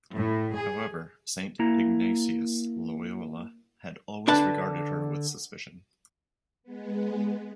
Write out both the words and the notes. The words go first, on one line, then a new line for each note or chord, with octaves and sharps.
However, Saint Ignatius Loyola had always regarded her with suspicion.
A2
G#4
A#3 E4 A#5
D3 D4 B4 A5
G#3 B3